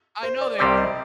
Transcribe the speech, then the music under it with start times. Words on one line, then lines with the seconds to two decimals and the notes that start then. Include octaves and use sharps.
I know they are.
0.23 C5
0.41 D5
0.58 C2 C3 G3 C4 G4 D5
0.77 D#5